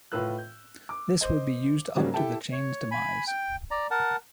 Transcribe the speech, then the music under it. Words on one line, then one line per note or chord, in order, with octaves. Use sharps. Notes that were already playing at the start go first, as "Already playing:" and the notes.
This would be used up to the chain's demise.
A2 F4 B4 E6 F#6
G6
D6
C5 D#5
G#2 C#3 F#3 G3 A#3 C#4
E4 G4 A4 E5 G5 A5
C#5
G#5 B5
G5
D5 A#5
A#4 F#5 A5